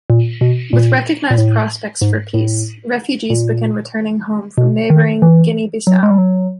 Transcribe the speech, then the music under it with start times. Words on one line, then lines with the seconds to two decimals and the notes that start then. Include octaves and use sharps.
With recognized prospects for peace, refugees began returning home from neighboring Guinea-Bissau.
0.10 A#2
0.41 B2
0.73 A#2
1.31 A#2
1.38 A2
2.02 G#2
2.34 A2
3.30 A#2
4.58 B2
4.90 D#3
5.22 E3
5.87 F#3
6.03 G#3
6.11 G3
6.18 F#3